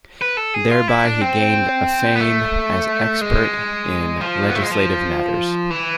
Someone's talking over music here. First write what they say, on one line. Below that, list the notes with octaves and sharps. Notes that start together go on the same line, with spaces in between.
Thereby he gained a fame as expert in legislative matters.
B4
A4
G#4
F4
E4
D4
C4
B3
A3
G#3
F3
B3
A3
G#3
F3
E3